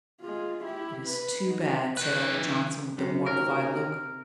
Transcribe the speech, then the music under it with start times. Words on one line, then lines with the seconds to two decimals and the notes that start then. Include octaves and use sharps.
"It is too bad," said old Johnson, with a mortified look.
0.21 G#3 F4
0.64 E4 G4
1.04 B4
1.46 D#4 F#4
1.97 D#3 B4
2.98 F#2 C3 F#4 G4 C5
3.26 D#2 A#4